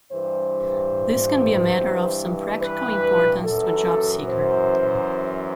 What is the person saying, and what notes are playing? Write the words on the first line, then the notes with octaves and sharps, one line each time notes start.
This can be a matter of some practical importance to a job-seeker.
G2 E3 C5
B4
F#2 E3 A4
C5